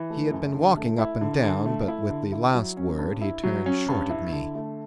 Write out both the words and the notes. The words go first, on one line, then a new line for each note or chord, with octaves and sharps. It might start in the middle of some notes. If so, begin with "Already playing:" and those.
'He had been walking up and down, but with the last word he turned short at me.
Already playing: E3
A3
F#2
D3
A3
E4
D3
D3
A3
E4
D3
E4
F#3
C#4
G2
E4
F#3
C#4
G2
E4
D3
A3